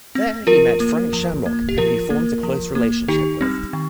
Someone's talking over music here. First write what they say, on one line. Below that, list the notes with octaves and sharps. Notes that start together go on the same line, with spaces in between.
There he met Frank Shamrock, who he formed a close relationship with.
C4
F3 F4 A#4
A#3
F3
A#3
G4
F3 F4 A#4
A#3
F3
A#3
D#3 D#4 G4
G3 C4
D#3